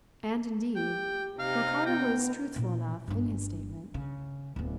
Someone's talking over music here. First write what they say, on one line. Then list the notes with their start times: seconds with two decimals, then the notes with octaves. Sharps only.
And, indeed, Ricardo was truthful enough in his statement.
0.75 G4 G5
1.39 C3 D#4 F5
1.86 B3 G5
2.56 A#2 E3
3.08 G1 D4
3.94 C#3
4.56 D1 B3